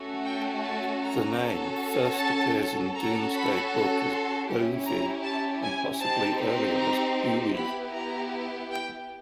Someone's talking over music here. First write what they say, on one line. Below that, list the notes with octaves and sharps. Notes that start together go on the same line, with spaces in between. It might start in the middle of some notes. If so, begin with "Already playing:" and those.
The name first appears in Domesday Book as "Bovi" and possibly earlier as "Buui".
Already playing: A3 C#4 F#4 A4
G5
A5
A#5
C#4 F#4 A4
A5
C#4 F#4 A4 A#5
B5
C6
C#4 E4 G4
A#5
A5
G#5
C4 D#4 G4 A5
A#5
B3 E4 G4 B5
A#5
G5